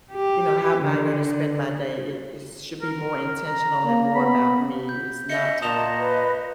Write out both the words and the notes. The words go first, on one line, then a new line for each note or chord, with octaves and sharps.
you know, how am I gonna spend my day, it it should be more intentional and more about me, it's not
G4
D3
A#4
A#5
A#3
B3 B5
G6
D#5 E5 C#7
A#2 D#5 A5 D#6 E7 F7
B4